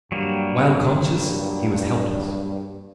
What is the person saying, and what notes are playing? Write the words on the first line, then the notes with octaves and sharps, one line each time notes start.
While conscious, he was helpless.
G2 F#3 G3 A#3